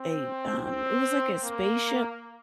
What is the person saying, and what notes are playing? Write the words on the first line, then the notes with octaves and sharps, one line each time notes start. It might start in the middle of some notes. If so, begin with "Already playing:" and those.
a um, it was like a spaceship
Already playing: C4
C4
A#3